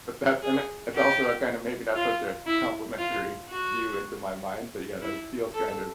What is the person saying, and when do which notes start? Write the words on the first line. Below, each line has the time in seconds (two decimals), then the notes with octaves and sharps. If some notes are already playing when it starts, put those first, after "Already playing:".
but that and it it's also a kind of maybe not such a complimentary view into my mind, but, yeah, that feels kind of
0.42 G#4
0.94 G4
1.95 F4
2.46 E4
2.98 F4
3.49 F#4
5.02 E4
5.53 A4